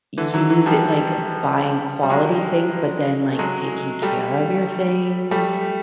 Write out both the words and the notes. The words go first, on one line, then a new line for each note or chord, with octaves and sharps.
use it, like, buying quality things, but then, like, taking care of your things.
D3 E3
E3 F#3
E3 F#3
F3 G3
G3
F#3 G#3
A3
F#3 G#3
G3 A3
G3 A3